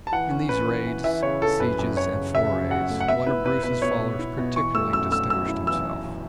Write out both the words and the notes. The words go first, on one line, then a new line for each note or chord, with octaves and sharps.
In these raids, sieges and forays one of Bruce's followers particularly distinguished himself.
A5
E3 F#5
C#4
C#4 B4
E3
E3
E3 E5
C#3 C#5
E3 A4
F#2 B4
F#2
F#2 C#5
C#3
C#3 E5
F#2
F#2 F#5
A3
F#5
B3 E5
E4 B4
E4 B4
B2 B4
B2 C#5
B2
E4
B2
E3 C#6
A3 E6
F#2 E6
A3 E6
F#2 E6
E4
E3 E6